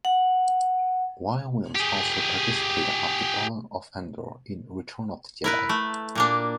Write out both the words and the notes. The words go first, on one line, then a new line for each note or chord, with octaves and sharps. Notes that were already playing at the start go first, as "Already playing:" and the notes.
Y-wings also participate at the Battle of Endor in "Return of the Jedi".
F#5
G4 G#4
E4 A#4 B4
A3
A#2 A#3 D4